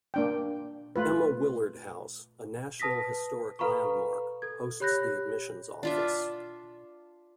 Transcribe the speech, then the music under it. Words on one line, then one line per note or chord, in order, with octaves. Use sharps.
Emma Willard House, a National Historic Landmark, hosts the admissions office.
A#3 D4 G5
A3 F4 B4
B4 A5 D#6 A#6 B6
A4 B4 F5 A#5 B5 C#6
A4 G#6
G4 C#5 B5 F#6 G6 A#6
D4 F4 E5